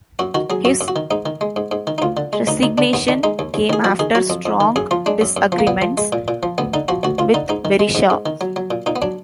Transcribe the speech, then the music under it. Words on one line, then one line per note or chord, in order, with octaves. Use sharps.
His resignation came after strong disagreements with Berisha.
F#2 F#4
D#3 F#4
F#3 G#4
F#2 F#4
F#2
F#4
D#3
G#2 D#4
D#3
G#3
G#2
G#2
D#3
D#4
D2 F4
D3
G#3
D2 D#4
D2 D#4
D3 D4
D#2 B3
D#3 D4
G#3 D#4
D#2
D#2
D#3 G#4
F2 F#4
D#3 G#4
F#3 F#4
F2
F2
D#3
F#2 G#4
F3 F4
G#3 D4
F#2
F#2
F3
A#3
A#2 B3
F3
G#3
A#2
A#2
F3
D2 B3
D3 D#4
F3 F#4
D2 F#4
D2 F4
D3 D#4
G#2 D#4
D#3
G#3
G#2
G#2
D#3
F#3
F#3
A#2
A#2 D#4
B3
F#3 D4